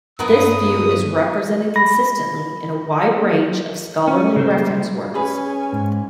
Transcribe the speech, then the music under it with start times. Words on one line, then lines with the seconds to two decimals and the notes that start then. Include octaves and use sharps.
This view is represented consistently in a wide range of scholarly reference works.
0.19 G2 B3 A#4 B4 D#6
1.76 B5 A#6
4.08 C#4
4.36 C#3 A#3 C4 C5 E5
4.52 C5
4.67 G3
5.14 C#4 G#4 B4 G#5
5.73 G#2